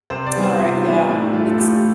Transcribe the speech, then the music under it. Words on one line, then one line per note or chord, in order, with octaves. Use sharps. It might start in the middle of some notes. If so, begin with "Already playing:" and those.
Alright, yeah, it's
C3 C5
D5
E3 G3 B3
C5
C3 F4
E4
E3 G3 B3 D4
E4
A2 D4
E4
E3 A3 F4
A4
A2 G4